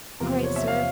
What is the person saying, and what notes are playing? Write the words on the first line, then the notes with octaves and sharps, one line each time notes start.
'All right, Sir.
E2 C3 F3 A#3 F4 A#4
C5
C#5
E5
F5